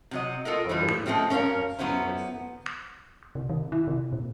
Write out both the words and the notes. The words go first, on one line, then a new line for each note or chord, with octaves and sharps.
However fighting soon resumed.
C3 F#3 D#5
F4 A4 A#4 D#5
E3 F3 G3
F3 G#3 A3 C4 C#4
C#4 A#4 C#5 D5 F5
F#3 B3 C#4 E4 C5
C3
D#3
E4
C3
A#2